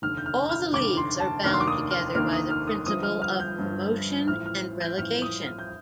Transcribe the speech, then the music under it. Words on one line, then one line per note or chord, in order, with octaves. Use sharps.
All the leagues are bound together by the principle of promotion and relegation.
F1 D#2 D3 F6
G6
F6
F6
F1 D#2 D3 D6
C6
A5
F1 D#2 D#3 A#3 D4 F6
C6
D6
D#6
F6
F1 D#2 D#3 A#3 D4 F6
D#6
F6
D#6
G1 G2 F3 D#6
F6
F6
G6
G1 G2 F3
A1 A2 F3 F6
F6
G6
A1 A2 F3 F6
D#6
F6
G6